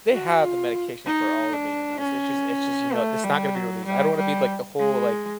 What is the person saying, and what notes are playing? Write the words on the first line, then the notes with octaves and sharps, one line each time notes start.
they have the medications for all the major meds, it's just it's just, you know, it's not gonna be released, I don't wanna be, like, the whole, like,
F#4
F4
D#4
D4
C#4
A3
G3
F#3
G3
G3
G#3